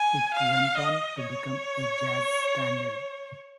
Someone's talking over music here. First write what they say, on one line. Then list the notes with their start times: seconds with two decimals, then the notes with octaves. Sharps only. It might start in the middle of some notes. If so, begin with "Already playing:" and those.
It went on to become a jazz standard.
Already playing: G#5
0.34 F5
0.77 D#5
1.20 C#5